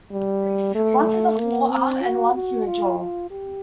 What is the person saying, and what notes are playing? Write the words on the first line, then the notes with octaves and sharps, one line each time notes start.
Once in the forearm and once in the jaw.
G3
A3
A#3
C4
F#4
F#4
F4
F4
G4